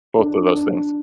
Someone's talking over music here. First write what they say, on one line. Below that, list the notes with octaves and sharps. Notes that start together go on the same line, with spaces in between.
Both of those things.
D4
D4